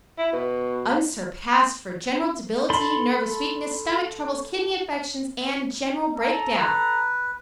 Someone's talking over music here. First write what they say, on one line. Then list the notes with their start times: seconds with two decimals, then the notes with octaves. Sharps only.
UNSURPASSED for General Debility, Nervous Weakness, Stomach troubles, Kidney affections and General Break-Down.
0.18 E4
0.33 B2
2.70 A4 B5 C6
6.15 A4 A#5
6.60 B4